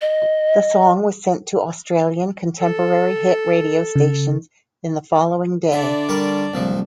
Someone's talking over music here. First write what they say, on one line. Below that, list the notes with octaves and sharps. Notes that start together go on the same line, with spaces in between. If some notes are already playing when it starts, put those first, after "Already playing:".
The song was sent to Australian contemporary hit radio stations in the following day.
D#5
A4
C#3
D3 D4 D5 E5
G3 A#4 C#6
D1 C2 F3